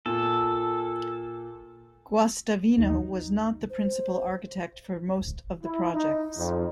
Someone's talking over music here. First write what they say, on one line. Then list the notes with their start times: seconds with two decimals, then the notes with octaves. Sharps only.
Guastavino was not the principal architect for most of the projects.
0.06 A#2 A4
2.78 A1 D#2 D#4
3.70 C5
5.64 E4
5.94 D#4
6.37 F2